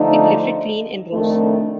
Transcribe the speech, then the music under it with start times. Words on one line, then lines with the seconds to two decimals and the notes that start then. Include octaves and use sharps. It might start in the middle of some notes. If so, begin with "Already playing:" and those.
It lifted clean and rose.
Already playing: D3 F3 A3 D#4
1.11 F2 D#3 A3 D4